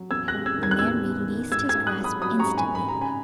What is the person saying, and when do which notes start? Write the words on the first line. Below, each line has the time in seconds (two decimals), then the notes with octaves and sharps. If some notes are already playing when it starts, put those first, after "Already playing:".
The man released his grasp instantly.
Already playing: F#3
0.10 E2 E6 G#6
0.28 F#6 A#6
0.34 G#3
0.46 E6 G#6
0.58 D#3
0.63 G#6
0.71 F#6
0.79 E2 E6 G#6
1.05 E2
1.28 D#3
1.52 G#2 E6 G#6
1.69 E6 G#6
1.75 G#2
1.87 D#6 F#6
1.99 F#3
2.04 B5 D#6
2.22 F#3 B5 D#6
2.39 A#5 C#6
2.46 G#2
2.58 G#5 B5
2.69 G#2
2.75 B5
2.89 C#3 A#5
3.01 G#5 B5